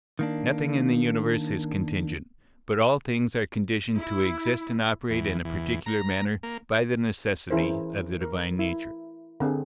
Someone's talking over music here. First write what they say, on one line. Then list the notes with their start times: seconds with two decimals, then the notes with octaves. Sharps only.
Nothing in the universe is contingent, but all things are conditioned to exist and operate in a particular manner by the necessity of the divine nature.
0.19 D#3 A#3 D4
3.98 E4
5.10 E2
5.45 E2
5.86 A#5
6.43 A#3
7.50 E3 C#4 E4 G#4 A#4 C5
8.21 A#4
8.59 E4
9.40 D3 C4 G4 G#4